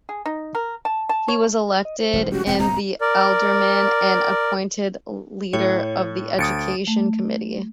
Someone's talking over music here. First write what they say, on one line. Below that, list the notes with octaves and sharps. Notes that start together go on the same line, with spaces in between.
He was elected an Alderman and appointed Leader of the Education Committee.
G#4
D#4
A#4
A5
A5
C#5
D#5
C5
E1 A1 G3
G#3 C#4 F#4 G4
E1 A2 C4 G5
D1 C2 G#3 A#5
A#4 D5
A2 C#5
D2 D#6 A6 C#7 D7
A3